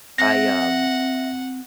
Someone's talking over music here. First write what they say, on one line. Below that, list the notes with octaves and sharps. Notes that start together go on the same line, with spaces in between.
I, um,
C4 E5 F#5 A#6